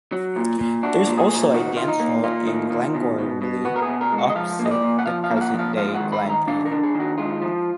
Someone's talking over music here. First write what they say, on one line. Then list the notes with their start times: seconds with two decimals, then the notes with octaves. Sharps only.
There is also a dance hall in Glengormley, opposite the present day Glen Inn.
0.12 F#3
0.36 A#2
0.59 A#2
0.83 D4 F#4
1.06 A#2
1.18 G#4
1.30 A#2
1.54 D#3 F#4
1.76 D#3 F4
1.88 D#4
2.00 A#3
2.24 A#3 F4
2.47 D#3
2.70 D#3
2.94 B2
3.19 B2
3.42 B2
3.65 B3 F#4
3.76 A#4
3.82 G#4
3.88 B2
4.01 A#4
4.12 G#3
4.18 F#4
4.30 D#5
4.35 F3 F5
4.59 A#3
4.65 D#5
4.71 D5
4.83 A#2
4.99 F#5
5.06 F3 F5
5.24 F5
5.30 A#3
5.37 F5
5.41 F#5
5.54 F3 F5
5.77 G#3 F5
5.94 F#5
6.00 D#3
6.12 B5
6.24 D#3 A#5
6.47 D4 F5
6.65 A#4
6.71 D4
6.83 G#4
6.94 D#3
7.00 F#4
7.18 G#3 F4
7.42 F3